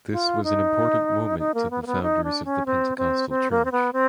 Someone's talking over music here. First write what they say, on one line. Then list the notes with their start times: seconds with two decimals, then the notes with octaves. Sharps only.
This was an important moment to the founders of the Pentecostal church.
0.12 F4
0.43 D#4
1.39 D#4
1.54 A#3
1.70 B3
1.82 A#3
1.86 B3
2.02 D#4
2.24 D4
2.45 C#4
2.66 C4
2.98 C4
3.29 C4
3.51 A#3
3.65 C4
3.72 B3
3.93 C4